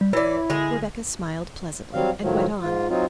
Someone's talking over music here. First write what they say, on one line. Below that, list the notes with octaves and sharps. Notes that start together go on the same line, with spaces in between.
Rebecca smiled pleasantly, and went on.
G3
E3 E4 C#5 D5
D3 G#3 G#4
F#3 G3 C4 F5
A2 D#3 F3 F#3
G#2 F4
F#3 C4 D#4 F4